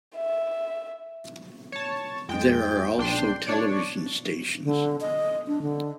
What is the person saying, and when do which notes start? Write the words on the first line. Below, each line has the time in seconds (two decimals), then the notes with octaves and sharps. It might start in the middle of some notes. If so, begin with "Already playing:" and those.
There are also television stations.
0.16 E5
1.72 C#5 A5
2.29 F2 G#3 G5
2.98 B1 D4 G5 C6
3.47 D4 C#5 D5
4.64 D3
5.01 D#5
5.47 D4
5.62 D3